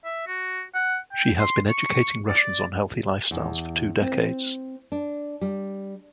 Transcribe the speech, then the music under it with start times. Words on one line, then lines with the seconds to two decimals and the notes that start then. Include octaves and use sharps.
She has been educating Russians on healthy lifestyles for two decades.
0.05 E5
0.27 F#4
0.75 F#5
1.12 G5
1.39 C6
1.70 C#6
2.29 D5
3.31 E2
4.02 C4
4.92 D4
5.41 G3